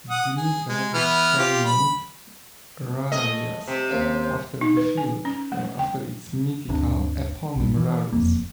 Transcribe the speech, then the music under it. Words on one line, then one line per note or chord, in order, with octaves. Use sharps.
Demeter was surnamed "Rharias" after the field, or after its mythical eponym Rarus.
F#5 D#6
G#4
G#3
E3 B3 F6
F4 G4
B5
A3 G#4 D#5
C3
D#2 C#3 C4
D#4
B4
G#5
C#4
A3
G5
G1 D2 C3 D4
B1 G2
E3
E1 F2 A#3